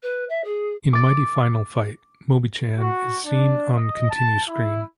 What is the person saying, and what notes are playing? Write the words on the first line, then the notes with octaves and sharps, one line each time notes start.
In Mighty Final Fight, Mobichan is seen on continue screen.
B4
E5
G#4
D6 A6
F#4
D4
D#5
A5
E4